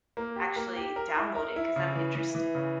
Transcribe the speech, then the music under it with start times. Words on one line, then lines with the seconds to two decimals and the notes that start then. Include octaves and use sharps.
actually download it 'cause I'm interested
0.17 A#3
0.36 G4
0.56 A#3
0.76 G4
0.96 A#4
1.17 E4
1.35 A#4
1.56 E4
1.76 C#3
1.96 E3
2.15 E3
2.35 E3
2.55 C#3